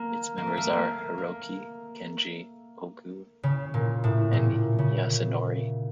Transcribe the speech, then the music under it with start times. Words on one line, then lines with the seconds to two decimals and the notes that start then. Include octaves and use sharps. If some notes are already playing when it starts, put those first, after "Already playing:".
Its members are Hiroki, Kenji, Ogu and Yasunori.
Already playing: A#3
0.38 A#3
0.47 A3
0.57 A#3
0.67 A3
0.73 A#3
1.18 A#3
3.43 C#3
3.74 A#2
4.04 A2
4.33 A#2
4.79 C#3